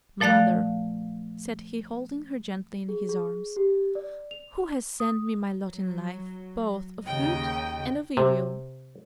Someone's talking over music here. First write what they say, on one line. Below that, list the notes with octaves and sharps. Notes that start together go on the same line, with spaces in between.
'Mother!' said he, holding her gently in his arms, 'who has sent me my lot in life, both of good and of evil?'
A#2 F3 A3 D5 F5 F#6
G#4
G#4
G4
D5
F7
D#6
F#3
D#2 C#3 D#5 G5
C3